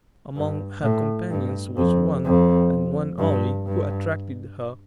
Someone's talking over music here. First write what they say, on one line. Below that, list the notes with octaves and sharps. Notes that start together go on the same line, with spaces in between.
Among her companions was one, and one only, who attracted her.
G2
A2
G2
F2
F2
G2
G2